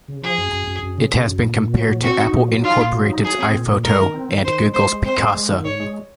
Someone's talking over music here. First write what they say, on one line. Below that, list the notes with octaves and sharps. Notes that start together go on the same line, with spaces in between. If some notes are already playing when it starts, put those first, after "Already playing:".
It has been compared to Apple Inc.'s iPhoto and Google's Picasa.
C#3
F3 G#4
F#2
F#2
F#2
F#2
C#3
C#3
F#2
A#2
A#2
F#3
A#2
C4 F#4
D#4
A#2
F#3
D#4 F4
A#2
F#3
D#4
F#3 G#4
C4
A#2
A#2
G#3 A#4
D#3
C4
D#3
D#3 C5
G#3
G#3 C5
G#3
C4 C5
G#3
G#3
D#3
G#2 C#5
G#3